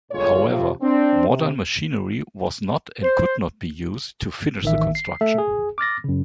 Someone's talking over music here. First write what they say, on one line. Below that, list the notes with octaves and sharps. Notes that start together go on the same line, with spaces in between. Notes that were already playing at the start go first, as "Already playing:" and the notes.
However, modern machinery was not and could not be used to finish the construction.
G1 A#2 G#3 F4 A4 C#5
C3 F3
C4 D4
C3
C5
A1 D#3 E5
C7
A3 A4 E5
G#4
D6 F6 A6 A#6
F#2 C#3